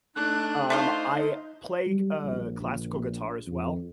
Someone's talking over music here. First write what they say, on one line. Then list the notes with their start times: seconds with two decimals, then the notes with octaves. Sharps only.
Um, I play c uh, classical guitar as well.
0.15 A3 D4 D#4 F#6
0.70 A3 D4 D#4 F4 C5 C6
1.87 G3
2.24 A#1
2.61 A#1
3.47 F2